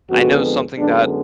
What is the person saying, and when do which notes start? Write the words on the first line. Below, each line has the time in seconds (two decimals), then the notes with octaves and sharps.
I know something that
0.10 F2 D3 G#3 B3 F#4
0.76 F#2 D3 G#3 B3 D4